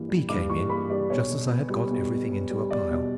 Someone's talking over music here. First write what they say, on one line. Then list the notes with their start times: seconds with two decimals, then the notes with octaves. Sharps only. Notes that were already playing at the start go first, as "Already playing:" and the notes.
B. came in just as I had got everything into a pile.
Already playing: G2 E3 A#3
0.09 G3
0.29 G2 D6
0.50 E3 C#6
0.69 A#3 B5
0.90 G3 D5
1.10 B1 C#5
1.30 B2
1.50 B3
1.69 G3
1.90 B1
2.11 B2
2.31 B3
2.50 G3
2.71 E2 D5
2.91 B2